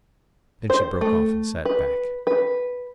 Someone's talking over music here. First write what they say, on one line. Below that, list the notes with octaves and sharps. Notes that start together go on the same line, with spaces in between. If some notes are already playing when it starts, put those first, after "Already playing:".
Then she broke off and sat back.
C5
A3
B4
B4